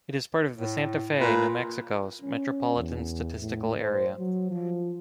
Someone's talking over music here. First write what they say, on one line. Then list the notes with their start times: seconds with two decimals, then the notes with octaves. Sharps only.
It is part of the Santa Fe, New Mexico Metropolitan Statistical Area.
0.58 A2
1.20 A#2 B4
2.22 C#4
2.76 E2
3.40 A2
3.82 C5
4.17 F#3
4.50 F3